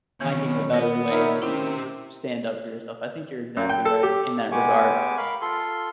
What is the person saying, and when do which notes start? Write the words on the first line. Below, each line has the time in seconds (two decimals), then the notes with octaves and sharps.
finding a better way to stand up for yourself, I think you're exactly right in that regard.
0.21 B1 B2 D#3 E3 C#4
0.73 B3 F4 A#4 E6
1.11 D#4 A#4 C#5 D5 E5 B5 D#6
1.42 D#3 C4 C#4 E4 G4 E5
3.57 F#2
3.69 G5
3.85 A4
4.03 G4
4.52 G#3 B3 G4 G#5 C#6 D6
5.17 A#4 F5 B5
5.41 F4 A4 C6